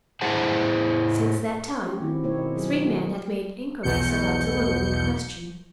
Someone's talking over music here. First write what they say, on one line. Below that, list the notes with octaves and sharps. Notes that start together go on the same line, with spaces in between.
Since that time, three men had made inquiries about the woman in question.
A2 E4 G#4 C5 F#5 A5
C#4 F#4 G4 C#5
D#3 C4 E4
B2 A#3 E4 C5 C#5
D#5
F#3 G#4
D#3 A3 A#3 F#4 G#4
B1 E2 B2 G6 C#7